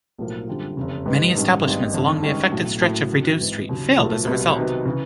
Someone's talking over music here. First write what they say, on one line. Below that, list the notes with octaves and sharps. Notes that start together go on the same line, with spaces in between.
Many establishments along the affected stretch of Rideau Street failed as a result.
B1 A2 F3 A#3
F#2 D3 G3 C4 F4
F1 E2 C#3
G#2 D#3 G3 B3
A1 G2 D#3 G#3 C#4
G#1 G2 D#3 G#3
G1 F2 D3
G2 D#3 G#3 C#4
B1 A2 F#3
A2 F#3 A#3 C#4 E4
F2 D3 F#3
G#1 G#2 E3
D#2 C#3 F#3
B1 A#2 F3 A3
C2 B2 F#3
C3 D#3 F#3 B3
C#3 E3